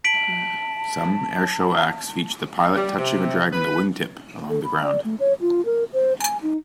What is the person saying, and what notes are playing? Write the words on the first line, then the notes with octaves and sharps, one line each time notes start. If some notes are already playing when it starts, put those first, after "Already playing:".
Some airshow acts feature the pilot touching or dragging the wingtip along the ground.
A5 B6 D7 F#7
G3
C3
B4
A4
B5
D5
A3
C#5
F4
A#4
C5
G#5
D#4